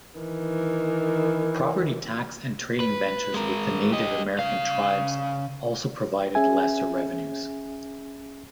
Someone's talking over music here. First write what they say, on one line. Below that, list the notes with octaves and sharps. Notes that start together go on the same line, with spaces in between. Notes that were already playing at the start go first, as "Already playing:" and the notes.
Property tax and trading ventures with the Native American tribes also provided lesser revenues.
D#3 E3
B4
G#3 A#4
G4 D#5
C#3 F5
C#4 G#4 E5 G#5